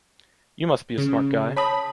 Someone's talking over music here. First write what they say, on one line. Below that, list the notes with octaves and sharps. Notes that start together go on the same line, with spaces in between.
You must be a smart guy!
C#3
C#5 A5 B5 D#6